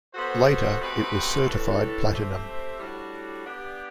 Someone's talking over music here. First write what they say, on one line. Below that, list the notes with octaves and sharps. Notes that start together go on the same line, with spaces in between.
Later, it was certified platinum.
B3 F#4 A4 C5
B2 A3 C4 G4 B4
A2 E3 A3 D4 A4
A3 C4 G4 C5 E5
A2 G3 D4 F#4
B3 D4 G4